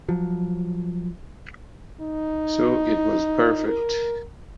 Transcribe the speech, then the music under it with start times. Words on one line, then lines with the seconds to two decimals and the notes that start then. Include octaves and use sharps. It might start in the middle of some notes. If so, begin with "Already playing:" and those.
So it was perfect.
0.09 F3 F#3
2.01 D#4
3.67 A#4